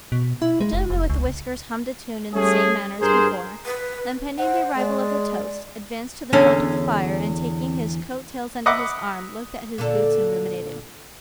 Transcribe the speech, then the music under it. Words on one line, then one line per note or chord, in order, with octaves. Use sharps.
The gentleman with the whiskers hummed a tune in the same manner as before, and pending the arrival of the toast, advanced to the front of the fire, and, taking his coat tails under his arms, looked at his boots and ruminated.
B2
E4
G#3
F1
F1
C#2
G3 A3 C#4 G#4
G2 G#4 A#4 C5
B4
C5 F#5
G#3 D5
E2 D3 C#4
D#5 E5 F#5 B5 D6 D#6
A#2 D3 A4